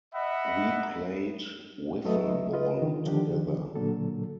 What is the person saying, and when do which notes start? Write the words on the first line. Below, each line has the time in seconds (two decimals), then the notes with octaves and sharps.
We played Wiffle ball together.
0.14 D#5 E5 F#5 B5
2.05 F#3 A3 A4 B4 D#5 E5
2.53 F4 B4 D#5
2.82 D3 D#3
3.06 D3 D#3 F3 D4 G4
3.76 A#2 D3 F#3 A#3 A4